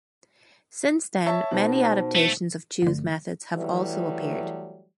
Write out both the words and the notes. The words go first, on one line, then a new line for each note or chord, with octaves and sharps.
Since then, many adaptations of Chu's methods have also appeared.
C#5 E5 A5
B2 D#4 C5 A5
A3
G1 D3 F3 A3
E3 F#3 G3 A3